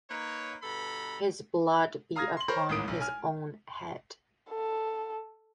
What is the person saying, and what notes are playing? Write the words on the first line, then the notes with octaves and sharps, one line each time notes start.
His blood be upon his own head.
A#3 D#4 B4 C#5
G2 B2 A4 A#5 B5
F5 A#5 D#6 F6 G#6 A#6
C6 F#7
A#4 C5 C#5 B5 G6
A1 D#2 G#2 D#6 D7
B1
G#5 F6
A4